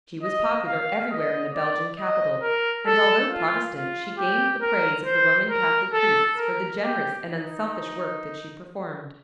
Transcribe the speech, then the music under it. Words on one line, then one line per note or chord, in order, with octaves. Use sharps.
She was popular everywhere in the Belgian capital, and although Protestant, she gained the praise of the Roman Catholic priests for the generous and unselfish work that she performed.
D#5
F5
D#5
D5
D#5
A#4
A4
F4
F4
G4
A#4
C5
A#4
A4
A#4
G4
D#4